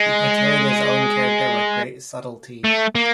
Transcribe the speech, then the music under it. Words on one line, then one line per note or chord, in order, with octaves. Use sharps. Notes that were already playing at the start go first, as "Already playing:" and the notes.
He portrayed his own character with great subtlety.
Already playing: G#3
A3
A#3